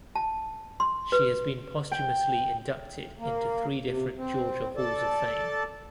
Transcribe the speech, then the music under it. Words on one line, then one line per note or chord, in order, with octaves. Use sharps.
She has been posthumously inducted into three different Georgia halls of fame.
A5
C6
B4
G5
A#3
C3
C4
A4 D5 A5